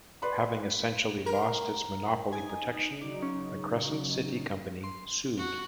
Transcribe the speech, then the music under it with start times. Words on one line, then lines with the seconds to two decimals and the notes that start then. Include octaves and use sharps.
Having essentially lost its monopoly protection, the Crescent City Company sued.
0.22 B4 D5 B5 C6
1.26 A#4
2.33 D#4 G#5 D#6
3.01 C#3 F#3 D#4 D5
3.22 C#4
4.84 C6
5.37 F#4